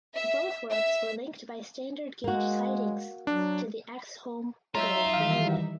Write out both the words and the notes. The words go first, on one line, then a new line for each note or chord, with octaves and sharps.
Both works were linked by standard gauge sidings to the Axholme Joint Railway.
E5
E5
G#3 A#3 F#4
F#3 D4
F#3 D#4 F4 C#5 E5 A#5
D#3 E3 G3 F5